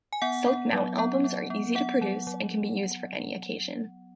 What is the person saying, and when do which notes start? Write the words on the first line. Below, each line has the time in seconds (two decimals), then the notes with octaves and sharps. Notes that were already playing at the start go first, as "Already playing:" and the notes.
Self-mount albums are easy to produce and can be used for any occasion.
0.13 G#5
0.22 B3 F#5
0.47 B3
0.73 F#3
0.98 B3
1.24 B3
1.50 B3
1.75 B3 F#5
2.01 F#3
2.27 F#3